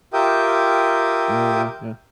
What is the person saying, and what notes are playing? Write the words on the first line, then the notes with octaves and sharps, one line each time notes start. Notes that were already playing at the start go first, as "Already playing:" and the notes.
Oh, yeah. Yeah.
F4 G4 A#4 E5 G5 D#6